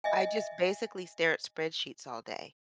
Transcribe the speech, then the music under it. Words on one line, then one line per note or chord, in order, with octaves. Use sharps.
I just basically stare at spreadsheets all day.
D#5 E5 G#5